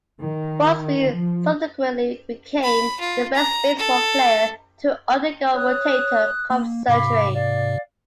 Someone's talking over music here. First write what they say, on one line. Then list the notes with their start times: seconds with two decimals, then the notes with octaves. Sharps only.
Busby subsequently became the first baseball player to undergo rotator cuff surgery.
0.20 D#3
1.09 F3
2.63 B5
3.00 F4
3.35 A#5
3.79 A4
5.55 C#5 D#6 F#6
6.50 A#3
6.88 G#2 C3 F5 B5 D6
7.33 D5 F5